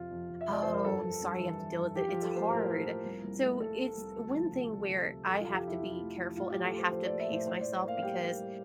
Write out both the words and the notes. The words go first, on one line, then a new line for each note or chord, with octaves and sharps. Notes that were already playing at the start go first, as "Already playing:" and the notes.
Oh, I'm sorry you have to deal with it. It's hard. So, it's one thing where I have to be careful, and I have to pace myself because
Already playing: F2 C3 F4
F2
F2
E5
C3 D5
F2 C5
A#4
G2 A4
G2
G2
E3
E3
G2
F3 G4
F4
F3
A4
A#3 C5
A2 A#4
A#3
F3
C2
C2
A3
C2 A4
A3
C2
D2
F3
C3
C3
C3
C3
F2 A4
F4
F2 G4
F4
F2 E4
F2 F4
E4
A3
F2 E4
A2 F4
G4
F3
A4
A2 C5
F3 C5
D5
A#3
E5
A2 C5
A2 C5
A2 D5
A#3 F5
F5
G3 G5
A#3
G3